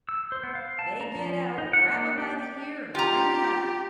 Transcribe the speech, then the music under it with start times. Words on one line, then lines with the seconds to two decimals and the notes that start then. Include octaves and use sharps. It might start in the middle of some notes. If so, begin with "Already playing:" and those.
"If they get out, grab them by the ear, and bring them back."
0.09 E6
0.32 C5
0.43 B3
0.55 F5
0.79 A5
1.01 A#5
1.15 F3
1.58 D#4
1.73 F#5
1.89 A#3
2.17 G4
2.95 F4 G4 A#5